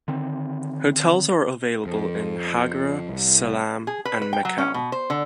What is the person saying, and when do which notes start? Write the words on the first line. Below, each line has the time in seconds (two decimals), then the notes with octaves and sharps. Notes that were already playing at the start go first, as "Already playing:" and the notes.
Hotels are available in Hagere Selam and Mekelle.
0.08 D3 D#3 C4
1.86 F2
3.09 C2
3.87 G#4
4.05 B4
4.22 B4
4.33 G5
4.45 F#3
4.58 C#4
4.74 B2
4.92 C5
5.10 D3